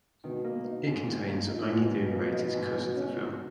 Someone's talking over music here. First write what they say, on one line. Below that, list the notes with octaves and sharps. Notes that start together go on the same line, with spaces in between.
It contains only the unrated cut of the film.
B2 D#3
A#3
B2
D#4
G#2
D#3
A#3
A#2 D#4
G#2
B2
D#3
A#3
D#4
G#2
F#3
C#4
F#4